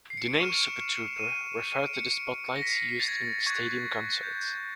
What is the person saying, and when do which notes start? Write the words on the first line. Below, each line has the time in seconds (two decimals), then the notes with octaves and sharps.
The name "Super Trouper" referred to the spotlights used in stadium concerts.
0.10 C7
0.17 C#7
0.25 D7
0.34 D#7
0.40 C#6 F6 E7
1.08 E7
1.18 D#7
1.84 D7
1.94 C#7
2.56 A#6
2.62 B6
2.70 C7
2.89 C7
3.00 A6
3.08 G#6
3.28 A6
3.47 C#6 F#6 G#6
4.23 G6